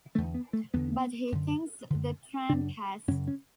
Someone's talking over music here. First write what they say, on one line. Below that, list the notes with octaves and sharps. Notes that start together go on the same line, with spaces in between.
But he thinks the tramp has.
E2 D3 A3
B3
A3
E2 D3 B3
F#2 D3
F#2 D3
F#2 C#3 D4
F#2 C#3 C#4
C#4